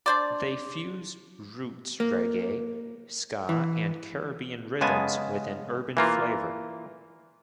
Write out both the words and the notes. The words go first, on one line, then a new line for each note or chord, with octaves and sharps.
They fuse roots reggae, ska and Caribbean rhythms with an urban flavour.
D4 C5 D5
A#3
E3
C#3 G#3 B3 G#5 A5
E3 A#3 F4